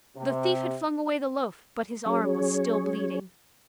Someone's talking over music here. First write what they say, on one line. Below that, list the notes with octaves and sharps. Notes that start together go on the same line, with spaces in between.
The thief had flung away the loaf, but his arm was still bleeding.
C3
F#3 C#4 G#4 C#5